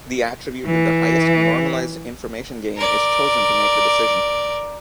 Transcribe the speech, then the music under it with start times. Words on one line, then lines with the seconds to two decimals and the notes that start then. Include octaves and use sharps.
The attribute with the highest normalized information gain is chosen to make the decision.
0.68 E3
2.77 A#4 D5